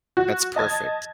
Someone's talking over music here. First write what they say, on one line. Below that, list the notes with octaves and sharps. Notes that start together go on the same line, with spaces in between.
That's perfect.
F#4
D#5 A5 G#6 A6